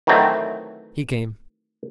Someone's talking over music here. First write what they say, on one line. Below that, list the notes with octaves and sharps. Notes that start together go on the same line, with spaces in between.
He came.
D#3 E3 F#3 A3 C4